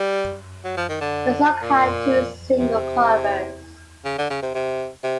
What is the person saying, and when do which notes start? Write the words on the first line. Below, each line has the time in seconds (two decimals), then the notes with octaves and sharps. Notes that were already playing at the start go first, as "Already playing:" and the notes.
The song had two single covers.
Already playing: G3
0.64 F#3
0.77 F3
0.89 D#3
1.01 D3
1.62 A#2
2.59 C3
4.05 C#3
4.18 D3
4.30 C#3
4.42 C3
4.54 C3
5.04 C3